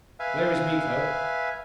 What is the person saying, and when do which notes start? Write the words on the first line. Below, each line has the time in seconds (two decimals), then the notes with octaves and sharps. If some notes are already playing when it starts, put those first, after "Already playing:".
"Where is Miko?"
0.20 B4 E5 F5 G#5